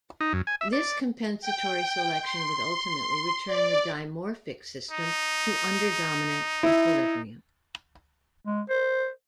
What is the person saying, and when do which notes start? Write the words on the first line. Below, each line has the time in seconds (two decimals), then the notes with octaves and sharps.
This compensatory selection would ultimately return the dimorphic system to underdominant equilibrium.
0.21 D#4
0.33 F#2
0.47 G#5
0.61 E5
0.73 D5
1.41 G5
2.22 C6
3.47 D5
4.91 D#4
6.63 E4
8.46 G#3
8.70 C5